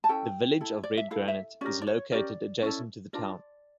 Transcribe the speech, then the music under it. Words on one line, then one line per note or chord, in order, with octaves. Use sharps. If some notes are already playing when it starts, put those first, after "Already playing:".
The village of Redgranite is located adjacent to the town.
A5
C#4 E4 A4 G5
E4 A4
D5
E5
E4 A4 F5
E5
C#4 G4 A#4 D5
D5
C#5
C#4 G4 A#4 D5
C#4 E4 A4
D4 F4 A#4 D5